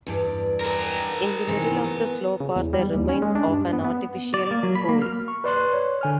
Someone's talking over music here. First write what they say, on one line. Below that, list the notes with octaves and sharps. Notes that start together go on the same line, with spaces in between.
In the middle of the slope are the remains of an artificial pool.
E2 G2 D5
G#4 A#4
C3 D#3 E3
B3
C#3
E2
G3
D#2
C#4
G#3
D4
G2
B3
B3
D5
A#3
F#3
B5
A#3
F6
C#6
B4 D5 C6 F#6
C#5
D3 G#5 F6